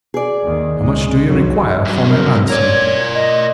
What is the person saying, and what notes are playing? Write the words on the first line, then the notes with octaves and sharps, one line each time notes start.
"How much do you require for my ransom?"
G#4 D5
D#2 D#3
C#2 G#3
B1 F2 F#3
G2 F#3
A#4
A#4 C#5 D5
D#5